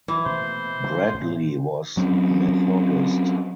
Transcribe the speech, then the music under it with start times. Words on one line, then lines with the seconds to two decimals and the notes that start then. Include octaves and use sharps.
Bradley was Methodist.
0.08 D#3 E3 F#3
0.26 B2 A3 A#3 C5
0.83 C#3 G3 G#3
1.11 A1 A2
1.97 F#3 C4 C#4